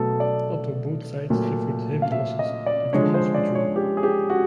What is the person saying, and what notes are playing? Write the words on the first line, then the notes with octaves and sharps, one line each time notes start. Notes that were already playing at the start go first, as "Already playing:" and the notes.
Although both sides suffered heavy losses, the Germans withdrew.
Already playing: B2 F#3 A3 A4
D5
A#2 F#3 A3
F5
E5
D#5
D5
D3 F3 G#3 C#5
C5
D5
C#5
G4
G#4
G4
F#4